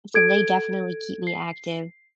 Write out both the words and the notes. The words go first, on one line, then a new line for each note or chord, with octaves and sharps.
so they definitely keep me active,
A4 G#6 D7
C7